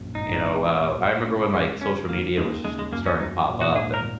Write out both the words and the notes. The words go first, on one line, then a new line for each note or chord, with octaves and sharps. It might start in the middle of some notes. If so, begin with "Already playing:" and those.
you know, uh, I remember when, like, social media was st starting to pop up, and
Already playing: A#1 F#2
G#1 D#4
G#3
A#2
F#3
C#3
G#3 C#4
C#3 C#4
D#3 A#3
D#2 G#3
C#3 G#3
G#3
F#2 A#3
C#4
F#3 D#4
A#2
F#4
G#2 G#4
A#4